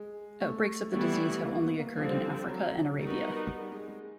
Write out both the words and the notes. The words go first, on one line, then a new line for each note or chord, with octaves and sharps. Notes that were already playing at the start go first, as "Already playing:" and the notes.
Outbreaks of the disease have only occurred in Africa and Arabia.
Already playing: G#3
A3
E3 G3 A3 B3 E4
A#3
B3
A#3
D3 F3 G3 C4
F#3
G3 B3 D#4 F#4 A#4
G3
G#3
G#3